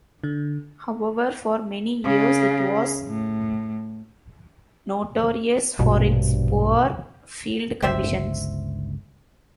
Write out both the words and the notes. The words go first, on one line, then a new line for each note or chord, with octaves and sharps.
However, for many years it was notorious for its poor field conditions.
D3
C#3
A2
A#1 G2 B2
G1 C#2 G4 C5 E5